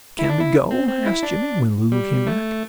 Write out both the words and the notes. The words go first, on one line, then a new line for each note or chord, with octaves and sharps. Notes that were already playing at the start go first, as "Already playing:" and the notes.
"Can we go?" asked Jimmie, when Lulu came back.
E4
D4
E4
C4
C4
E4
D4
G3
A3